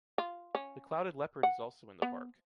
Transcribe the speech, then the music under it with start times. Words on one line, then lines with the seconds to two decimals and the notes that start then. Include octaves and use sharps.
The clouded leopard is also in the park.
0.18 F4
0.55 C#4
1.43 F#5
2.02 B3